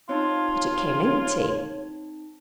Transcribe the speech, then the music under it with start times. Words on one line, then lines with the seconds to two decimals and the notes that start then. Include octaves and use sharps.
But it came empty.
0.09 C4 D#4 F4 C#5 A5